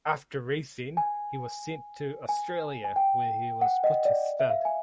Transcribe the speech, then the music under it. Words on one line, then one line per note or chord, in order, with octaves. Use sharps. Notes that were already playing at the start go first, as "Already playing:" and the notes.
After racing he was sent to Australia where he was put to stud.
G#5
G#5
G#5
G5
F#5
D#5
D5
E5
F5
G#5